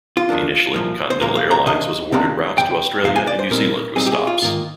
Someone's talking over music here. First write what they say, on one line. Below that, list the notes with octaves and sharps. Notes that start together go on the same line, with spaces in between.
Initially, Continental Airlines was awarded routes to Australia and New Zealand with stops.
F4
F2 D#3 A#3 D4
C2 A#2 F3 A#3
C5
C2 A#2 F3 A#3 A#4
F5
A#5
C3 D#3 A#3 D4 D#5
C3 D#3 A#3 D4
F2 C3 G5
F2 C3 F3 F5
G#5
D5
C5
C2 A#2 G3 C4 D#4 A#4
C2 A#2 G3 C4 D#4 G#4
G4
G#4
F4
G#2 D#3 A#3 D#4 F4